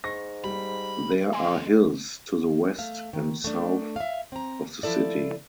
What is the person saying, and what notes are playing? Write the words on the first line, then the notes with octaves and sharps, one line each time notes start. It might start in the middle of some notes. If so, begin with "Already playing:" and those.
There are hills to the west and south of the city.
G#2 C#6 A#6
G3 B5
A4 D#5 G#5 C6
A3 F5
D#3
A3 D4
E5 F5
C4 A#5
F3 E4 A4 D5